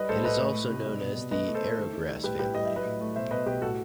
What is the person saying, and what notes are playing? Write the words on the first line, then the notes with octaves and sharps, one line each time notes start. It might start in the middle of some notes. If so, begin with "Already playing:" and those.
It is also known as the "arrowgrass" family.
Already playing: G3 B4 D#5
A2 A4 C5
A2 B4 D#5
A3
A3
C3
G3
B2
B2
A3 B4 D#5
A3
A4 C5
A3
D#3
D#3
G3
A2 G4 B4
A2 G4 B4
G3 D#5
F#3 E5
B4 D#5
A2
A3
B2 C5 E5
B2 B4 D#5
B2 G4 B4
A2 F#4 A4